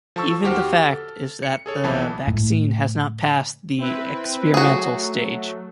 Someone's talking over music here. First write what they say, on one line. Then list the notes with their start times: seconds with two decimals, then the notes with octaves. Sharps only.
Even the fact is that the vaccine has not passed the experimental stage.
0.16 F3 A4 A5 C#6 E6
0.44 D#2 F#4 G4 C5 F#5 F6
0.85 A4
1.43 C#7
1.66 G#4 A4 C#5
1.83 B1 E3 B3 A5 B5
2.27 A2
3.78 C4 E4 B4
4.54 F#3 A3 F#4 G#4